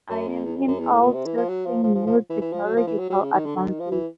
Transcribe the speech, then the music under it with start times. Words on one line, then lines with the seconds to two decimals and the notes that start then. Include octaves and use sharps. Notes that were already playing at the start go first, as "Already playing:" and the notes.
I am in awe testing new technological advances.
0.10 F#2
0.27 F2
0.45 E2
0.56 F2
0.68 F#2
0.79 E2
0.90 A2
1.02 A#2
1.14 C3
1.26 E3
1.37 F3
1.48 F#3
1.65 F3
1.83 F3
1.95 F3
2.06 F3
2.29 E3
2.41 E3
2.52 F3
2.64 F#3
2.76 F3
2.87 E3
2.99 F#3
3.10 F#3
3.22 C#3
3.33 D#3
3.46 D3
3.56 D3
3.68 D#3
3.80 F3
3.91 E3